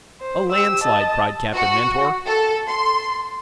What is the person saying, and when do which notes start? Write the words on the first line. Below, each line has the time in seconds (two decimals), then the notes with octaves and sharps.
"A landslide!" cried Captain Mentor.
0.21 C5
0.50 G4 E6
0.84 D#5 A5
1.54 F#4
2.27 A4
2.67 C6